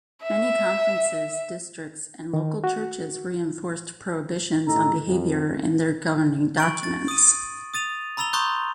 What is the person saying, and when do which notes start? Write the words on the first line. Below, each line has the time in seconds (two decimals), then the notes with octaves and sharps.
Many conferences, districts and local churches reinforced prohibitions on behavior in their governing documents.
0.23 E5
2.33 D#3
2.64 F#4
4.67 A2 D#4 G4 A4 A#5
5.07 F2
6.58 C#6 D7 F#7
6.83 A6
7.08 D#6 D#7
7.74 D#6 A6 D#7 F7
8.17 A#5 B5 E6 A6 F7 G7
8.33 A#5 C6 C#6 D#6 F#6 G6